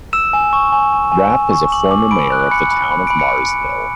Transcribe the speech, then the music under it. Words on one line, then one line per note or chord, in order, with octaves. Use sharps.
Rapp is a former Mayor of the town of Mars Hill.
E6 E7
G#5
C#6
G#5
G#5
G#5
G#5
C#6
D6 F#7
D6
B5 D7
F#6
B5 C#7
B5
B5
B5 D7
C#7